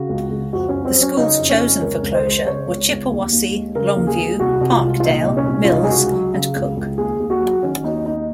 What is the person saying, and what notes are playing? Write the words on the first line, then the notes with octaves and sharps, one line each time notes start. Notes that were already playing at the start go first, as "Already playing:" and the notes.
The schools chosen for closure were Chippewassee, Longview, Parkdale, Mills and Cook.
Already playing: C#3 F#4
C#2
C#2
F2 F#4
C#4
F2
C4
F#3
C#4
C#3 D#4
F2
C#4
F2
C#2 A#4
C#2
C5
G#3
C#3 C#5
C#2
C#2
D#2
D#2
G#3
C#3 A#4
D#2
G#4
D#2
C2 F#4
C2
F4
G#3
F4
A#2 D#4
C2
C#4
C2
F4
C#2 D#4
G#4
C#2 F#4
F#3
C#3
C#2
C#2
D#2 G#4
D#2
F#4
F#3
D#3 C#4
D#2 D#4
D#2 D#4